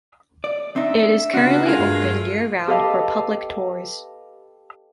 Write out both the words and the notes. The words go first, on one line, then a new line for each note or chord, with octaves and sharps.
It is currently open year-round for public tours.
D5
C4 D4 D#4 E5
C#3 B3 C#4 D4 F4 F#4
G#3 A3 F4 A#4 G#5
G2
G4 A4 B4 D#5 F5 A5